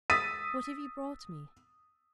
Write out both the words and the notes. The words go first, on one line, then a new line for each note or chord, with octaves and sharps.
What have you brought me?'
D#6 E6 A6 B6 D#7